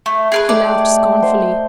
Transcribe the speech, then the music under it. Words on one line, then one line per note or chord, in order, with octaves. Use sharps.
She laughed scornfully.
A3
G#4 A#4 B4
A3 D#4 G4 D5
C5 F#5